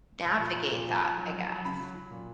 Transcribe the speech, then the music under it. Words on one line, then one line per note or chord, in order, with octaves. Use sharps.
navigate that, I guess?
A#2 A#5
A#2 B5
F3 A#5
A#2
F3
F3
F#3
F#3
F#3
C#3 B5
F#3
F#3
A#2